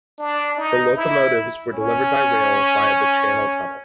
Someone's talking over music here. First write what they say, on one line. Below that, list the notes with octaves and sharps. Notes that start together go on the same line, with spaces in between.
The locomotives were delivered by rail via the Channel Tunnel.
D4
D#4
E4
C#4